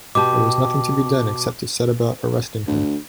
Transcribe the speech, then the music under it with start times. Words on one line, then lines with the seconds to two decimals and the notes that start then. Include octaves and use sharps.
There was nothing to be done except to set about arresting her.
0.15 B2 G4 A5 D6
2.67 D2